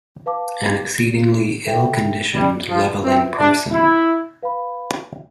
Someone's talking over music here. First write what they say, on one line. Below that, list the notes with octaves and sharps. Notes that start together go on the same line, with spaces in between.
An exceedingly ill-conditioned, levelling person.
B4 F5 A5 D6
A4 E5 G5
G3
F3
C4 F4 B4 E5
D4
E4
B4 F5 B5